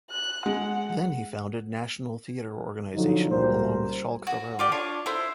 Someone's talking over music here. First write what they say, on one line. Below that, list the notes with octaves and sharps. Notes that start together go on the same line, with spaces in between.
Then he founded National Theater Organization along with Schalk Theron.
F#6
G#3 F#5
D3 F3 F#3 D#4
C#2 A#2 G3 F#4 A#4 C5
F#4
F4 G4 D5
D4 F4 C#5
E4 C5